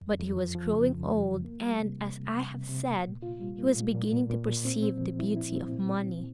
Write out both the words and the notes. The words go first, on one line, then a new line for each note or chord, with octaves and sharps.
But he was growing old, and, as I have said, he was beginning to perceive the beauty of money.
F2
F2
F3
F3
C#3
F2
F3
F2
A#3
G3
C3
C3
C3
C3
C3
C3
A#3
A#2
F4
G3
A#3
A#2
A#2
A#2
A#2
A#2
C4
C4
F3
E4
E4
C4
A#2
A#2
A#2